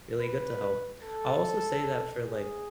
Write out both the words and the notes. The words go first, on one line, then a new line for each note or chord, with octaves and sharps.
really good to help. I'll also say that, for, like,
B4
A4
G#4